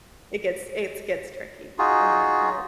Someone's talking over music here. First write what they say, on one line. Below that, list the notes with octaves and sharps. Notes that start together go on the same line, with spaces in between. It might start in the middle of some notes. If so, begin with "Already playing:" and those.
it gets it's gets tricky on that front,
D#4 F4 F#4 G#4